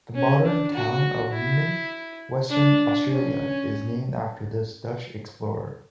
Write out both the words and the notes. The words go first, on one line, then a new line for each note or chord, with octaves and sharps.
The modern Town of Leeman, Western Australia is named after this Dutch explorer.
C#4
D4
F#4
E4
D4
C#4